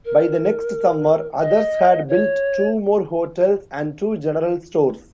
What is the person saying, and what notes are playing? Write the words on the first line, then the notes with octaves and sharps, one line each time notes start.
By the next summer others had built two more hotels and two general stores.
A#4
D#5
C#5